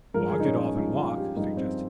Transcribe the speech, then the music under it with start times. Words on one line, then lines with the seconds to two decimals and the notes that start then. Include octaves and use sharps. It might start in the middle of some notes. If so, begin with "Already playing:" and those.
"I'll get off and walk," suggested.
0.14 G2 F3 G#3 A#4
0.30 G#4
0.40 D#4
0.45 C#4
0.60 C#4
0.75 G2 F3 G#3 D#4
0.96 F4
1.16 G4
1.36 G2 F3 G#3 D#4
1.57 C4